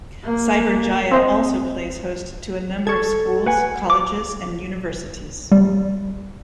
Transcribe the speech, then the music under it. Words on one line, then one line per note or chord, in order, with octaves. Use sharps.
Cyberjaya also plays host to a number of schools, colleges and Universities.
A#3
C4 C5 D#5
A4 C#6 G#6
B4 F#5 G#5
D6
G3